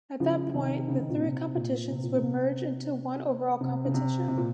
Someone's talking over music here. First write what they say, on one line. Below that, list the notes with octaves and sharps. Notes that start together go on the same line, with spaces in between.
At that point, the three competitions would merge into one overall competition.
C#3 F3
F3
C3 D#3
C#3
D#3
A#2 C#3
C3
A#2
C3
A#2
C3
C3
C#3
C3
C3
A#2